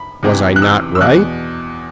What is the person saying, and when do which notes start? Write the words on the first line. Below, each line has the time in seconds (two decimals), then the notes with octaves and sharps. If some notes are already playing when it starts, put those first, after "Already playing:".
Was I not right?
Already playing: B5
0.23 E2 C3 E3
0.56 F#6
0.62 E6
0.95 E6
1.01 E2 B2 F#6